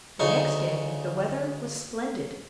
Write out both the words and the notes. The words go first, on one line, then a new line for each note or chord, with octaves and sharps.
The next day the weather was splendid.
D2 C#3 D#4 G#4 C#6